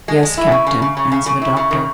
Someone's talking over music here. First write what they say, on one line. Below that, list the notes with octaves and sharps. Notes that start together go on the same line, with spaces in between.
"Yes, captain," answered the doctor.
G#3
G#3
E4
C#3
C#3
C#3
C#3
C#3
C#3
E4
C#3
D#3